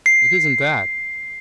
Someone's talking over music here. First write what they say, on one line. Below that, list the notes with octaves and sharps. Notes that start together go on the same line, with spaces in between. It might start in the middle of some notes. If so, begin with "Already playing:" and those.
"It isn't that."
C7